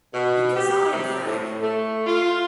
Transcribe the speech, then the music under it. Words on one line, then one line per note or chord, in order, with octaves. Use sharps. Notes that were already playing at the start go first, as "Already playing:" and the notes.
Because I am Frank!
B2
G4
C3
A2
A3
F4